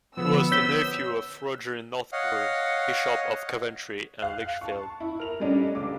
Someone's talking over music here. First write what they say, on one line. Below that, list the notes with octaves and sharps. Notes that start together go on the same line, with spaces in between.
He was the nephew of Roger Northburgh, Bishop of Coventry and Lichfield.
D3 F3 B3 E6
C#5 G6 B6 G7
C#5 D#5 F5 F#5
F5 F#6
A5 C#6
E4
A#4 F7
G3 A3 C#4 D4 D#5
C#2 D6